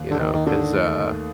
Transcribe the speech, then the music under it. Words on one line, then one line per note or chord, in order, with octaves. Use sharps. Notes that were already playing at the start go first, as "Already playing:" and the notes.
you know? 'Cause, uh
Already playing: D#2
D3
D#2 D#3
D#3
D3 D#3
A3
D#2